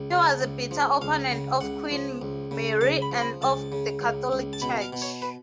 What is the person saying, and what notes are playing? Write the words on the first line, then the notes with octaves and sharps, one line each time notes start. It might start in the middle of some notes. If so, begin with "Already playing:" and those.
He was a bitter opponent of Queen Mary and of the Catholic Church.
Already playing: C#2
C#3
C#2
F3
C#2 F5
C#3
C#2 F#5
F3
C#2
C#3
C#2 A5
B5
F3
B5
C#2 A5
C#3
C#2
C#2
A5
B2 B5
F5
B2
C#5
B4